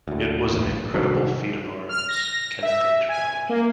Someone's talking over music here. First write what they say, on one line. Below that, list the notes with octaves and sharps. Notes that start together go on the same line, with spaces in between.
It was an incredible feat of arms... - Kenneth H. Powers.
D2 A2
G#1 E2 A2
A#1
C2 D#3 F#3 D4
F6
A#6
E5
G#5
A#3